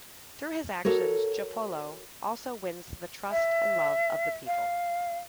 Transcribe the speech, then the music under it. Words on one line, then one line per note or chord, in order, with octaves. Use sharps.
Through his actions, Joppolo also wins the trust and love of the people.
F#4 A4 A#4 C#5
E5
F5